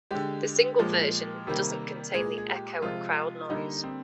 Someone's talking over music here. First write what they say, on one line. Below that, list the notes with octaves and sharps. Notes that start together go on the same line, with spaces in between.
The single version doesn't contain the echo and crowd noise.
D3 G#3 G4
A#2 F3 G#3
C3 D#3 G3 A#3
A#2 G#3 G#4
G#4
G4
C3 F3 G#3 F4
D3 G3 A#3 D#4
C4